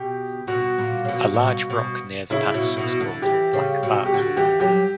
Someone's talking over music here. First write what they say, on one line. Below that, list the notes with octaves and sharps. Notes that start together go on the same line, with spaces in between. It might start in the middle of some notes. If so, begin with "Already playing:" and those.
A large rock near the pass is called Black Bart Rock.
Already playing: B2 G4
B2 F#4
A#2
C#3
B2
A#2
B2
B2
C#3 E4
B2
B2
D3
E3 G4
C#3
B2
G4
D3 F#4
E3 G4
F#3 G4